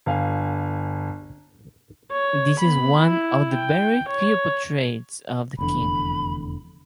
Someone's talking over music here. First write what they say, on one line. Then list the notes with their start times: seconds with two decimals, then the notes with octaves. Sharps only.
This is one of the very few portraits of the king.
0.06 G1 F5 G#5
2.12 C#5
2.60 B3 B5
3.00 E4
3.52 G5
4.09 C#5
5.59 F1 E2 D3 B5